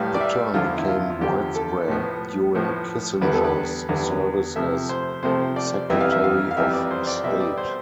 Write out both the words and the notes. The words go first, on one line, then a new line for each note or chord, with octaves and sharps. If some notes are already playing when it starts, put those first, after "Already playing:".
The term became widespread during Kissinger's service as Secretary of State.
Already playing: A2 G3 B3 F5
D5
E5
E2 D3 F3 F4
E4
F4
F4
E2 D3 F3 G4
A4
A2 F3 B3
A2 F3 B3
E2 D3 G3 B3 B4
A4
B4
E2 D3 G3 B3
C3 F3 A3 E5
C5
C3 F3 A3 C5
D5
F2 E3 G3 B3 E5
F5
E5
F5
F5
F2 E3 G3 B3 E5
D5
C5
D5
B2 G3 B3 E5
D5
C5